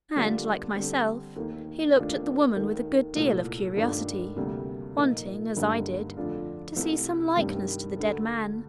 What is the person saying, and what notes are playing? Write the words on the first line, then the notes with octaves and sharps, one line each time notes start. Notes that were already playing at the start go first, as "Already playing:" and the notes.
And, like myself, he looked at the woman with a good deal of curiosity, wanting--as I did--to see some likeness to the dead man.
D3 G3 A#3 D4 F4
D3 G3 C4
D#2 D#3 A#3
D#2 D#3 A3 D4 F4
D#2 D#3 A3
C2 A#2 A3
G2 D#3 A3 D4 F4
D2 C3 G3 A#3
A#2 F3 A#3 D#4
G2 D3 G3 A#3 D#4
F2 D3 A3 D4 F4
C2 C3 F3 A3
G2 D#3 G3 C4
D2 D3 A3